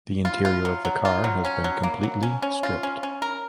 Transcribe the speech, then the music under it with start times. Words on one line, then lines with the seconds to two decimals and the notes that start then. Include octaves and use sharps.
The interior of the car has been completely stripped.
0.25 F4
0.45 F4
0.65 F#3
0.85 F#3
1.05 F4
1.24 F#3
1.45 C#4
1.64 F#3
1.83 A#3
2.03 F#3
2.23 C#4
2.42 C#4
2.63 F4
2.83 C#4
3.03 C#4
3.22 A#4